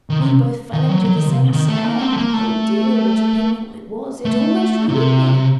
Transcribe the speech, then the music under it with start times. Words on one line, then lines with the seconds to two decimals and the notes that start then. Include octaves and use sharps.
We both fell into the same snare; oh dear, what a pitfall it was; it almost ruined me!
0.10 D#3
0.20 C3
0.73 D#3
0.89 F#3
1.05 F#3
1.16 D#3
1.27 C3
1.53 D#3
1.69 A3
1.85 A#3
2.01 C4
2.13 A3
2.17 A#3
2.33 A3
4.25 A3
4.89 C3